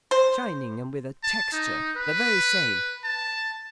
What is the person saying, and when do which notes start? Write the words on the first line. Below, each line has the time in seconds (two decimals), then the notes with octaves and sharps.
Shining and with a texture--the very same.
0.11 C5
1.23 A5
1.52 D#4
1.96 B4
3.04 A5